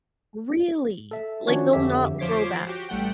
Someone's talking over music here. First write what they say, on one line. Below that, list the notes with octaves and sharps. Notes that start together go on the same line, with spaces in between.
Really? Like, they'll not grow back?
A4 E5
D#3 F3 C#4 D4 F#4 C#5
F2 D3 G4 E5
F3 C5 C#5 D6 B6 C7
F#4 G4 G5
A1 G3 A3 F#5 G5